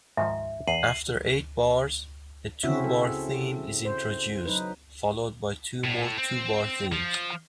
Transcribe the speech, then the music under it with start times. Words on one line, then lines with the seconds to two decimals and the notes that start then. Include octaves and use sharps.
After eight bars, a two-bar theme is introduced, followed by two more two-bar themes.
0.17 G#2 D#3 F3 E5
0.68 E2 C7 D#7 F#7
2.63 C#3 C4 C#4 E4 F#4 E5
2.84 A4
3.85 C5
4.46 F#3 D#4 B4
5.84 A2
6.17 C4
6.92 F3